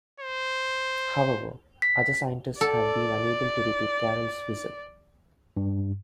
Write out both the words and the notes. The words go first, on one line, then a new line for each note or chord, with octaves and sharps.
However, other scientists have been unable to repeat Carrel's result.
C5
B6
A4 D5
G2